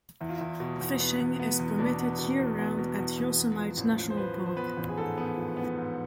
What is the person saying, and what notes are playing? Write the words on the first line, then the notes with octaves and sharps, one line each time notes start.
Fishing is permitted year-round at Yosemite National Park.
E2 E4
F4
E2 E4
B2
E2
B3
E2
B3
E2
B2 D4
B3
B2
E2
B3
B2
E2
E2
B3
F3
A1
F3
C5
F3 B4
F3
C5
B3 B4
A1
G#4
G#2 A4
B3
F3
B3
G#2